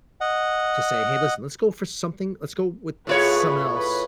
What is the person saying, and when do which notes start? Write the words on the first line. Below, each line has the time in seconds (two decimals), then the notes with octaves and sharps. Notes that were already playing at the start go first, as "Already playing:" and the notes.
to say, "Hey, listen, let's go for something let's go with someone else,"
0.21 D#5 F#5
3.07 A2 F4 G#4 B4 C#5
3.76 B4